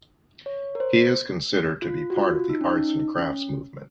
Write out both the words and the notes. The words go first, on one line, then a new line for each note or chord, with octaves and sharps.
He is considered to be part of the Arts and Crafts Movement.
C#5
A#4
C5
F4
F#4
F4
D#4
C#4
D#4
C#4